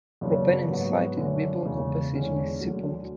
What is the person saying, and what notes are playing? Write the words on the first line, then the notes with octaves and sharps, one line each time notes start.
Proponents cited Biblical passage in in support.
F#2 C#3 F#3 B3 D4
G#2 F#3 B3 F#4
F#2 D3 A3 C#4
E2 C#3 G#3
E2 D3 G#3 C#4
D2 D3 F#3